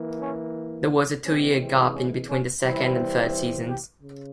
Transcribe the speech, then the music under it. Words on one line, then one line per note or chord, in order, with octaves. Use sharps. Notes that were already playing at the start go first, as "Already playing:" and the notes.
There was a two-year gap in between the second and third seasons.
Already playing: E3 A#3
C#4
C3 E3 G#3 C4 C#4
C4
C#4
C#4
E3 G3 C4 E4
G4
C#3